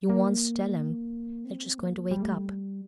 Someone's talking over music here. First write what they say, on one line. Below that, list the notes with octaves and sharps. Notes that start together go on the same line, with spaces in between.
You wants to tell 'em they're just going to wake up.
A#3
C4
A#3
G3
A3
G3